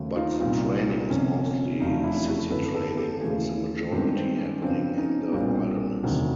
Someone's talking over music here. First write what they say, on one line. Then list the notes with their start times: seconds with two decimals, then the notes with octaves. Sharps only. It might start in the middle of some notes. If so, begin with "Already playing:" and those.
But the training is mostly sissi training with the majority happening in the wilderness.
Already playing: D#2 C#3 F#3 A3
0.16 D#4 F4
0.39 C2 A#2 G3 B3 D#4 F4
1.10 G1 F2 C3 C#4
1.80 F1 E2 C#3 F#3 A3 C#4 D#4
2.03 D4 E4
2.28 E4 F#4
2.50 G#1 F#2 D3 A4 B4
2.75 A4 B4
2.97 G4 A4
3.21 D#2 C#3 E3 A3 F#4 G#4
3.91 G2 D#3 G#3 B3 C4 D4
4.15 C4
4.38 C#4
4.62 F2 C#3 F#3 B3 C4 D4
4.98 C#4 D#4
5.32 B1 A#2 G3 A#3 C4 D4
6.03 E1 D2 C3 D#3 F#3